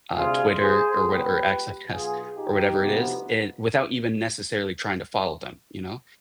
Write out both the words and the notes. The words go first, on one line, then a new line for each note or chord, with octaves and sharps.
uh, Twitter, or what or X, I guess, or whatever it is, and without even necessarily trying to follow them, you know?
D2 C3 G3 F4 G#4
G#4 C5
G#2 F3 G#3 B3 G4 B4
B1 B2 B3 F4 G#4
D#4 G4
D2 C3 F3 B3